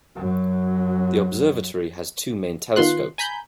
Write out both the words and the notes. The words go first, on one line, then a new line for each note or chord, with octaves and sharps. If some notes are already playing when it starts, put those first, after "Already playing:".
The observatory has two main telescopes.
F#2 F#3
D#3 B3 F4 C6 F#6
G#5 A#5 B5 G6